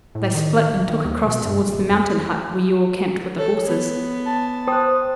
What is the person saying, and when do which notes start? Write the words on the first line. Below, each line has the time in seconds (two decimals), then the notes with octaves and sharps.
They split and took across towards the Mountain Hut, where you all camped with the horses.
0.15 A2
0.34 D#3
0.70 D#1
0.88 D#3
1.05 D#2
1.26 B2
1.45 G2
1.67 D#1
1.90 F2
3.38 A4 C#5
3.67 B3
4.25 A5
4.67 C5 G5 D#6 F#6